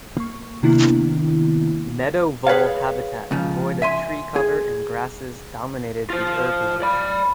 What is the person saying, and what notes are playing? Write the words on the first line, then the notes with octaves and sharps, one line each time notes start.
Meadow vole habitat devoid of tree cover and grasses dominated the herb layer.
A#3 C#6
C3 D#3 A#3 B3 D4 E4
G#4 B4 C#5 F5
C#2 C#3 F3
E5 G#5 C6
G#4
F4 C5
D5 B5